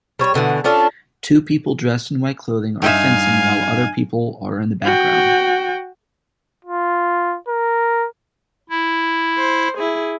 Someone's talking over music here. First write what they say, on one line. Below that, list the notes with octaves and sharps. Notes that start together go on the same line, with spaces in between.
Two people dressed in white clothing are fencing while other people are in the background.
G3 C#5
B2 D3 E3 F#5
C#4 D4 F4 A4
G2 D#4 E5 F5 G#5
F#4 G5
F4
A#4
E4
C5
E4 G#4